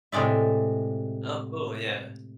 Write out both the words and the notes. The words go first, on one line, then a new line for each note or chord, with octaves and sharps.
Oh cool, yeah.
A2 C3 G#3 D5 E5